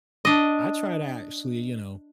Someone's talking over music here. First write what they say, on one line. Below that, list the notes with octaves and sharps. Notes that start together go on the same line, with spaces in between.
I try to actually, you know,
D4 D#5